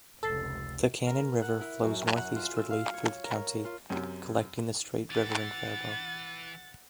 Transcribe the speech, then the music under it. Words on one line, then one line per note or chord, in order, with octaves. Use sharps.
The Cannon River flows northeastwardly through the county, collecting the Straight River in Faribault.
F1 C#2 A4 E6 A6 C7
A#4
F#5
E4
F#2
F#5
F4
E6
F5
C#5
A#4
F4
F#2 C3
E3 F#5 A6